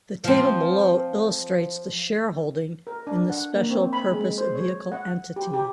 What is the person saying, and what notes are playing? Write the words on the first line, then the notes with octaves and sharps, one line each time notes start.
The table below illustrates the shareholding in the special purpose vehicle entity.
F3 C4
A#4
D4
F#5
A#3
C4
B5
G#3
C5
C#5
F#5
G4
G4